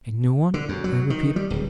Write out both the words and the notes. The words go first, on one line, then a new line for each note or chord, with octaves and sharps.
'A new one?' I repeated.
D3
F#2
F#3
D#3
G3
D1